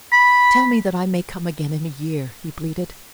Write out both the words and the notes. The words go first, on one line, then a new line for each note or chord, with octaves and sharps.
"Tell me that I may come again,--in a year," he pleaded.
B5